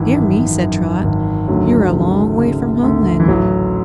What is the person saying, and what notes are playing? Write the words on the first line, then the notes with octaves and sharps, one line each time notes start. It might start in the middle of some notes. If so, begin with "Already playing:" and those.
"Dear me," said Trot; "you're a long way from home, then."
Already playing: G#1 E3
F#2
F#2
G#1
D2 F#3
C#3
C#3
D2
E3
A1 F#3